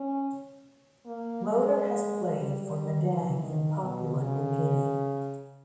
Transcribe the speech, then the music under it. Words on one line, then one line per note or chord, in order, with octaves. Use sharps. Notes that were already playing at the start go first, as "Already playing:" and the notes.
Moeder has played for Madang in Papua New Guinea.
Already playing: C#4
A#3
G#3
G3
G3
E3
D#3
B2
C#3